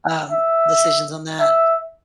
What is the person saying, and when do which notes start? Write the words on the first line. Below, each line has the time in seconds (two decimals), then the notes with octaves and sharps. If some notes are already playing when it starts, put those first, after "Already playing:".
um, decisions on that,
0.31 E5
1.40 E5